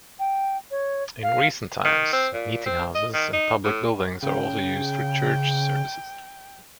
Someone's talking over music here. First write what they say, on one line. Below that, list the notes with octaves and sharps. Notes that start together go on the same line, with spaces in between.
In recent times, meetinghouses and public buildings are also used for church services.
G5
C#5
F5
D#3
C4
A#2
C4
D#5
D#3
D#4
A2
C#3 G5